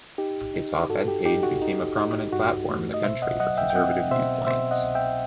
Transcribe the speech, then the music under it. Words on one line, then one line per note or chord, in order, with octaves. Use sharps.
Its op-ed page became a prominent platform in the country for conservative viewpoints.
D#4 G4
D#4
G2 F#4 A4
G4
D#4 G4
F#4
D#4
D#4
G2 F#4
A3
D#5
B2 C5 E5
D#5 F#5
F#3 D#5 F#5
E5 G5
G5
C4 D#5 F#5
B2 C5 E5
B2 C5 E5
D#5 F#5
C2
E5 G5